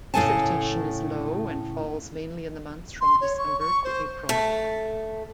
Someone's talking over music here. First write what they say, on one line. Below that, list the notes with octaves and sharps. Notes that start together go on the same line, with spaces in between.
Precipitation is low, and falls mainly in the months from December to April.
A2 C#3 A3 A4 G#5 A5
C6
C#5
C#6
C#6
C5
A3